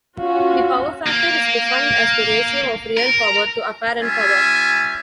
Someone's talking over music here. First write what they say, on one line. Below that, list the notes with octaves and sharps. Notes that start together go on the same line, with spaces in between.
The power factor is defined as the ratio of real power to apparent power.
C#4 F4 F#4 F5
A#3
A#4
G3 C#4 F4 E5 G#5